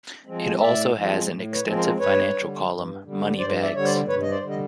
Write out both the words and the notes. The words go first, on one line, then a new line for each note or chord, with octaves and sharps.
It also has an extensive financial column, "Moneybags".
F3 G#3 C4
A2 D5 E5
F3 G#3 C4
A2
B4 C#5
F3 G#3 C4
A#4 C5
G2 B4 C#5
D3 G3
G2
D3 G3
G2 C5 D5
D5 E5
D3 G3 C#5
C5 D5
G2 B4 C#5
D#5
C5 D5
D3 G3
D#5